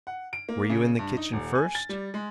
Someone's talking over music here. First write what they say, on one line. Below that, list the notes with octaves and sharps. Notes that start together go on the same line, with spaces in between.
"Were you in the kitchen first."
F#5
D7
A#3
C#3
G2
D#4
D#1
G#5
A6
G3
G#3